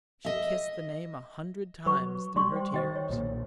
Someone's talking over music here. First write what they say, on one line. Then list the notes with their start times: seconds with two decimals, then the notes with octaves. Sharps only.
She kissed the name a hundred times through her tears.
0.25 D#5 E5
1.86 F#3 B4 C#6
2.36 G3 G#3 D5 C6 C#6
2.52 C5 G5
2.74 D#3 C5 D#5 G5
2.96 C#5
3.09 B1 A#2